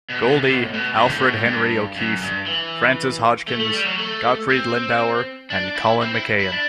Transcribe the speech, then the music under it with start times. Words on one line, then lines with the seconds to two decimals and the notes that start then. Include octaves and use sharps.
Goldie, Alfred Henry O'Keeffe, Frances Hodgkins, Gottfried Lindauer and Colin McCahon.
0.10 B2
0.22 B2
0.27 C3
0.43 C3
0.53 B2
0.63 A2
0.73 B2
0.95 G2
1.07 A2
1.20 B2
1.32 A2
1.45 G2
1.96 F#2
2.21 G2
2.46 E3
3.48 A3
3.60 A3
3.73 G3
3.86 F#3
3.98 A3
4.50 C4
5.50 D4
5.76 E4
6.01 C4
6.14 E4
6.40 E4
6.52 D4